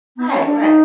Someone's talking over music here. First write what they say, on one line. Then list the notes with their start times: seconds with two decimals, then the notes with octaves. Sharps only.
Right, right.
0.17 B3
0.31 C#4
0.45 D4
0.59 D#4